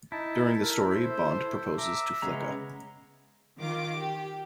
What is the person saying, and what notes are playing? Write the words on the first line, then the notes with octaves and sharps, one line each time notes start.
During the story, Bond proposes to Flicka.
D#4 E4 A5
A4 A#4
C5
E5 A#5 D6
C#3 G#3 B3 A#5
D#3 F4 D6
G4